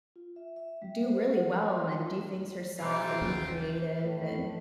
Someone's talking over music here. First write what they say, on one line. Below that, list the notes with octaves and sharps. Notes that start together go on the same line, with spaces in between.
do really well and do things herself and be creative and,
F4
E5
E5
G3
C5
F#5
C6
F4
G#2 B2 A3 F4 G5
D#2 C#3 F#3
A2